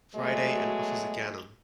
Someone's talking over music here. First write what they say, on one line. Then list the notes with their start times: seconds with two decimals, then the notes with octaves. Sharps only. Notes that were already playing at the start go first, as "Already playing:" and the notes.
Friday and Officer Gannon.
0.14 B2 F#3 G#3 A3